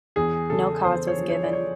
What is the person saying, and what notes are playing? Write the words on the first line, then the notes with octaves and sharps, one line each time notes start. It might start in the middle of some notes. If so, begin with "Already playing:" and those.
No cause was given.
E2 G#4
C#3 A4
E2 C5
C#5
F3
C#5
D5
C#5